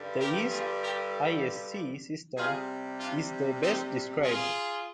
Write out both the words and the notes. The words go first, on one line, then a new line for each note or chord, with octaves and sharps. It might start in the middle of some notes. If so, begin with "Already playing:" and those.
The yeast isc system is the best described.
Already playing: G2 D3 G3
G4 A#4
F4 G#4
G4 A#4
C3 G3 F4 G#4
D4 F4
C4 D#4
F4 G#4